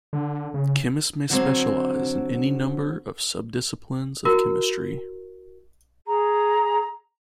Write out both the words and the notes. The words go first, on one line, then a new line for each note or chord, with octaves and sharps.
Chemists may specialize in any number of subdisciplines of chemistry.
D3
C#3
D3 F#3 C4
E4 F#4 A#4
G#4 A#5